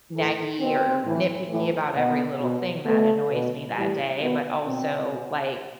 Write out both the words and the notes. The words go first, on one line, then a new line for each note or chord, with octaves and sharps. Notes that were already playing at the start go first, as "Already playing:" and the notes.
naggy or nitpicky about every little thing that annoys me that day, but also, like,
A2 E3 A4
B2 C4
A2 E3
A2 E3
B2 B3
B2
B2 A3
B2
A2 E3 G3
B2 B3
B2 C4
B2